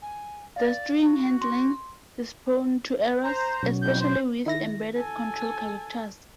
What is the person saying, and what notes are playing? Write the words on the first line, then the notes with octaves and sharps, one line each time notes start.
The string handling is prone to errors, especially with embedded control characters.
G#5
D5 F5
F#4
C6
C5 A#5
B2 F#3 C#4
F2 A2 G6
C5
D#3 E4 A#6
A4 G#5